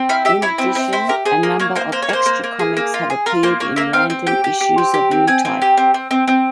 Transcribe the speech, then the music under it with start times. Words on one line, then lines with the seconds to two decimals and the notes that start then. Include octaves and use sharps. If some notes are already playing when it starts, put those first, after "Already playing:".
In addition, a number of extra comics have appeared in random issues of "Newtype".
Already playing: C4
0.09 E4 F5
0.25 G4 E5
0.42 E4 C#5
0.58 C4 C5
0.75 C4 C5
0.93 E4 C5
1.09 G4 A#4
1.25 G#4 C5
1.43 A#3
1.60 A#3 C#5
1.75 A#3 C5
1.92 A#3 C5
2.02 C#5
2.09 A#3 C5
2.26 A#3
2.44 A#3
2.59 G#4
2.77 A#3
2.94 F4
3.10 G#4
3.26 F4 A#4
3.43 A#3 C5
3.60 A#3 C#5
3.76 A#3 E5
3.93 C4 F5
4.10 C4
4.26 G4 G5
4.44 G4
4.61 G4
4.78 C4
4.94 G4
5.11 C4
5.27 C4 G#5
5.45 C4
5.62 G4
5.78 C4
5.94 C4
6.11 C4
6.28 C4